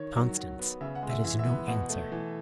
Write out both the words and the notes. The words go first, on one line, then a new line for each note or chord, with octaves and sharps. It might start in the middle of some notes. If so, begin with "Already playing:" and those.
"Constance, that is no answer."
Already playing: D#3 C#5
F#3
F#3
B3
C#3 E5
F#5
G#3
E5
E3 E5
E5
B3
B2 F#5
A3
E3